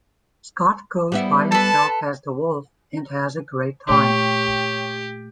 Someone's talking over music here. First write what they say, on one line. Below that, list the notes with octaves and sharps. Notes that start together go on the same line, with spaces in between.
Scott goes by himself as the Wolf and has a great time.
G3 B3 E4
A4 B4 A5
A#2 A3 G4 C#5 G5 C#6